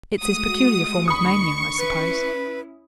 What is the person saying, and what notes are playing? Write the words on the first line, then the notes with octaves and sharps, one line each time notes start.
It's his peculiar form of mania, I suppose.
G#3 A3 F#4 D#6
D2 D#3 D4 B5 C#6 D#6
C#4 E4 B4